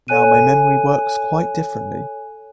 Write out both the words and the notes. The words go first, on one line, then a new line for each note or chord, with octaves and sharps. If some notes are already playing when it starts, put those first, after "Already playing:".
Now my memory works quite differently.
A4 C#5 G#5 F#6 D#7